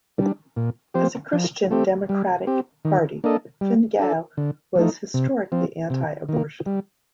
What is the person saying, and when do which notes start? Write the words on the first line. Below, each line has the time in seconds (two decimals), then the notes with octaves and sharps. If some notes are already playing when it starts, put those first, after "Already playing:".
As a Christian democratic party, Fine Gael was historically anti-abortion.
0.18 G3 D4
0.57 A#2
0.94 F3 C4 G4 C5
1.33 F3
1.71 A3 C4 G4
2.09 G3
2.47 C4 G4
2.85 D#3
3.24 A#3 D4 A4 D#5
3.61 G3
3.99 D4 A4
4.37 D3
4.76 F3 A3 D#4
5.14 C3
5.52 F3 C4
5.90 C3
6.29 D#3 A#3
6.66 G3